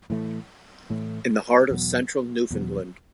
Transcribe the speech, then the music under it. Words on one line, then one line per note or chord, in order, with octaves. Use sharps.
In the heart of central Newfoundland.
A2 E3 A3
A2 E3 A3
E2 B2 F#3
E2 B2 F#3